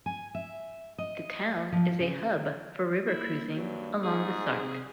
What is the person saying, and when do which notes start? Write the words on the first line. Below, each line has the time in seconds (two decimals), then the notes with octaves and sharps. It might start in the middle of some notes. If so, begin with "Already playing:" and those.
The town is a hub for river cruising along the Sarthe.
0.06 G#5
0.35 E5
0.98 D#5
1.72 F3
2.00 C#3
3.07 A#3 E4
3.56 G2 F#3
4.03 G#2 G#4
4.59 C3